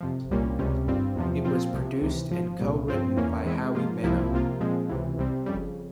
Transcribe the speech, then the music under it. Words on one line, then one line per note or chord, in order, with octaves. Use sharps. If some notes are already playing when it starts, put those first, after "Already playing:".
It was produced and co-written by Howie Beno.
F2 C3 F3
C2 A#2 G3 A#3 C#4
C#2 C3 G3 C#4
G#1 G2 G3 C4 F4
E2 C3 F3
A#2 F3 C4 F4
C2 C3 F3
C#2 C3 E3
G#1 G#2 F3
C2 A#2 G3
G2 F3 C4 F4
E2 E3 A#3 C#4
E2 E3 G#3 C4 E4
G#2 F3 A#3 F4
C2 C3 F3 A#3 E4
C2 C3 F3 A#3 F4
A#2 F3 G#3 C4
C#2 C3 E3
C2 C3 G3 C4
F2 C#3 G3